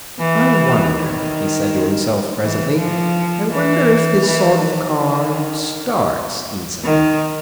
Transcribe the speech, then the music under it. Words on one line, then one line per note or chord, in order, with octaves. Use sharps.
'I wonder,' he said to himself presently, 'I wonder if this sort of car STARTS easily?'
E3
D#3
E3
F3
E3
E3
D#3
D#3